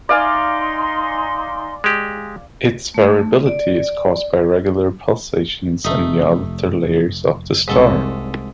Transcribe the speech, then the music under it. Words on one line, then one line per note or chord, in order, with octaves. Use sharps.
Its variability is caused by regular pulsations in the outer layers of the star.
D#4 D5 F5 G#5 C6
G#3 G4
A3
D5
F1 A3 D#4
C2 G#2 A4 C#6